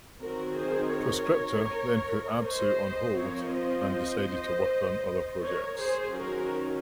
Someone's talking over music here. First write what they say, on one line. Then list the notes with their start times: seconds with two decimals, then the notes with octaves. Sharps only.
Proscriptor then put Absu on hold and decided to work on other projects.
0.21 D#3 F#3 C4 F#4 A#4
0.58 G#4 C5
0.96 A#4 C#5
2.45 C5 D#5
3.18 F3 C4 A#4 C#5
3.56 C5 D#5
5.42 A#4 C#5
5.79 G#4 C5
6.16 D#3 F#3 C#4 F#4 A#4